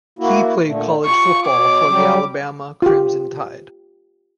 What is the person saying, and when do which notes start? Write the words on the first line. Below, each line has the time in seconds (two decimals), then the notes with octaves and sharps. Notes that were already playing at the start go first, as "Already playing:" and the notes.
He played college football for the Alabama Crimson Tide.
0.19 A#3 E4 F#4
0.66 A#2 D3 A3
1.06 F4 C#6
1.47 B2 C#5 D6
1.89 F#3 G3 G4
2.82 F4 G4